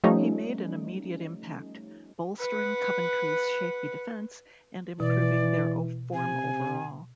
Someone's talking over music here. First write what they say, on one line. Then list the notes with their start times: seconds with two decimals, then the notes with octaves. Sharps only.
He made an immediate impact, bolstering Coventry's shaky defence and improving their form overall.
0.04 F3 G3 A3 C#4 D#4
2.39 B4 F#5
5.00 B2 E3 D5
6.13 C3 G#5